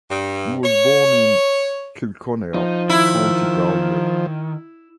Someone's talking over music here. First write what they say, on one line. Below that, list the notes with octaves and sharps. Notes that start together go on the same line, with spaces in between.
He was born in Kilconnell, County Galway.
G2
C#5
F3 D#4
D#3 E4